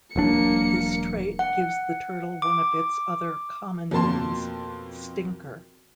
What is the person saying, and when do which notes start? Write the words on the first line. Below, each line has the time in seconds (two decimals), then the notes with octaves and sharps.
This trait gives the turtle one of its other common names, "stinker".
0.16 E1 F#3 A#3 D4 C#7
1.39 F#5
2.42 D6
3.91 F2 B2 A#3 A5 C6